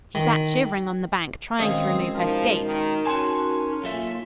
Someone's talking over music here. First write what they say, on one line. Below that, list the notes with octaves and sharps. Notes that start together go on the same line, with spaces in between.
She sat shivering on the bank trying to remove her skates.
D#3
B2 D#3 G#3 C4 C#4 D#5 F5 D#6
F3 D#4 A#4
D#3
C#4 F#4 G#4 G#5 A5 C6
B1 A#3 F4 A4 E5